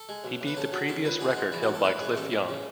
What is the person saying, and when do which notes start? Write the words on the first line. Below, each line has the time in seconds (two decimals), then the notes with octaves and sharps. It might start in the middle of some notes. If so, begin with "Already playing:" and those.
He beat the previous record held by Cliff Young.
Already playing: A4
0.09 G#3
0.24 B1
0.41 B1
0.47 B4
0.56 C#3 A4
0.72 F#3
0.88 C#2 A4
1.04 C#2 B4
1.20 D3 G#4
1.31 F#4
1.36 G#3
1.52 E2 E4
1.62 F#4
1.69 E2
1.74 A4
1.84 A2 B4
2.00 G#3
2.16 A1 A4
2.32 A1
2.48 C#3